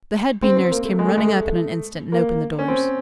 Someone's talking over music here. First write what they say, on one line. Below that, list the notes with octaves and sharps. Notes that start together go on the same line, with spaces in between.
The head Bee Nurse came running up in an instant and opened the doors.
C4
C4
A#3
A3
G#3
A3
G#3
A3
A#3
C#4
C4